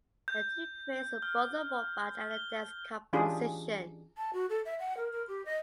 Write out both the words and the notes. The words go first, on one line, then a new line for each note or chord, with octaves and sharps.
A team creates both a robot and a dance composition.
G6
F6
G7
E3 C#4 D4 F4 G4 G#4
A5
F#4
A4
E5
F#5
A#4
A#4
G4
D#5